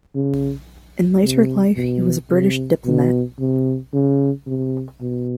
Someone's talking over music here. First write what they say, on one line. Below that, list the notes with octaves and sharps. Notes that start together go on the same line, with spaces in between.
In later life he was a British diplomat.
C#3
C3
B2
C3
B2
C3
C#3
C3
B2